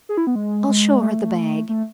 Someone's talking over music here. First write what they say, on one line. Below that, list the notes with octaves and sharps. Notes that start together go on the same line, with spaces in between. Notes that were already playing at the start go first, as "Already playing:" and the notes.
"I'll show her the bag."
G#4
E4
B3
G#3
G#3
A3
A3